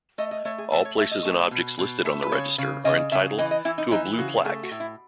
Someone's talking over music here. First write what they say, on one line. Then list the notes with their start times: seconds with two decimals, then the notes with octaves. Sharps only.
All places and objects listed on the register are entitled to a Blue plaque.
0.18 A3 D#5
0.31 D#5
0.45 A3 C#5
0.58 G#4
0.72 A3
0.85 C#5
0.98 A3 E5
1.11 D#5
1.25 A3
1.51 B2
1.78 B2
2.05 A3
2.22 B4
2.32 C#3 C#5
2.58 C#3
2.85 C#3 D#5
3.12 C#3 E5
3.38 E3 D#5
3.51 D#5
3.65 E3 E4
3.78 D#4
3.91 E3 D#4
4.18 C#3 F#4
4.45 A3 G#4
4.63 F#4
4.71 A2
4.80 E4